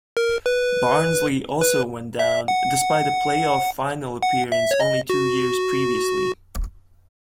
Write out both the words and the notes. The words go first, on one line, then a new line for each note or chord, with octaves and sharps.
Barnsley also went down, despite a play-off final appearance only two years previously.
A#4
B4
B4
E5
F#5
F#5
E5
C#5
D#5
F#4